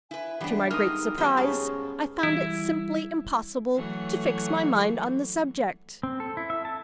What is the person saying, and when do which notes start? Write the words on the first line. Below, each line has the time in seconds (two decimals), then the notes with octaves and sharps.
To my great surprise, I found it simply impossible to fix my mind on the subject.
0.11 E4 B4 G#5
0.40 E3 G3 B3 D4 E5
0.71 G2 G#3 D#4 A#4 D#6 F6
1.18 F3 G3 A#3 B3 G4
1.37 G#2 C#4 G#4 A5
2.23 E3 G3 E4
3.76 E3 F#3 A3
6.03 C4
6.20 A4
6.37 E4
6.50 E5
6.65 A5